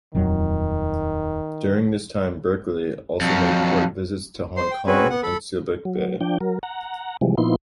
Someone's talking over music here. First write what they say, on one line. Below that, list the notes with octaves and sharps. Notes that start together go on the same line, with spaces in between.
During this time, "Berkeley" also made port visits to Hong Kong and Subic Bay.
D#1 F2 D#3 F#3
F2 F#3
C5 C6
G5
C4 C#4 F#4 G#4 B4
B3 F#5
A4 B5
F#3
F3 D4 G5
F#3 A#4
F#5 A#5
C3 E3 F3 G3 G#3
A#2 F3 B3 D#4 E4 C6